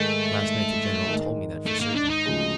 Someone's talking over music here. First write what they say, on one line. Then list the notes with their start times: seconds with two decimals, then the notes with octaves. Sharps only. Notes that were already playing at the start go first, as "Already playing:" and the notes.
Last night the General told me that for certain.
Already playing: G#2 D#3 G#3 A3
1.06 G#2 D#3 G#3
1.66 A3
1.81 A#3
1.96 D4
2.10 D#4
2.26 D2 C#3 F3 G#3